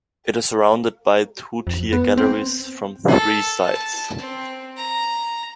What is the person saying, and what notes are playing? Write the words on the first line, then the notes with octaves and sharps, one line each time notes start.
It is surrounded by two-tier galleries from three sides.
F2
B3
C4
A4
A5
C4
A#5